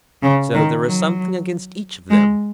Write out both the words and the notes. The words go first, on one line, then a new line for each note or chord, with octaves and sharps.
So there was something against each of them.
C#3
D#3
F#3
G#3